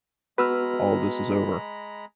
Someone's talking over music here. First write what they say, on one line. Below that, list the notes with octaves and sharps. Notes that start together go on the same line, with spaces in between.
all this is over,
G#3 B3 F#4 B4 A#5 B5 E6 F6